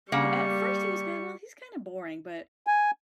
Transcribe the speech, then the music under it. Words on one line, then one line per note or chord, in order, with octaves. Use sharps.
He at first, he was kinda, "Well, he's kinda boring," but,
C#3 G3 A#3 F#5 C#6
G#5